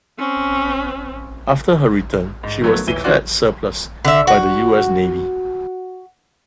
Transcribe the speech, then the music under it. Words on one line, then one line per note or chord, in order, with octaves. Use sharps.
After her return she was declared surplus by the U. S. Navy.
C4 C#4
G#2
D#3 F3 F#3 A3 B3
D#1 E3 E4 D#7 G7
E3 C#4 F4 F#4 D5
D3 E5
F#4